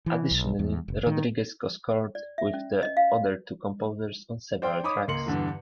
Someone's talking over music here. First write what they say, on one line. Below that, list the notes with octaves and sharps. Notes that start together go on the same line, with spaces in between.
Additionally, Rodriguez co-scored with the other two composers on several tracks.
E3
B1
E2
F1
D#3
D5
E5
C#4
D#5
F5
C5 D5 G5 C6
D#4 C#5 B5 D6 D#6
C#2 A#3 C6 C#7 F#7
E2 G2 D3